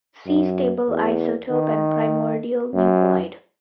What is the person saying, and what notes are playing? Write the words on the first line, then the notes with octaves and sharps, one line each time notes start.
See stable isotope and primordial nuclide.
F#2
E2
D#3
F#2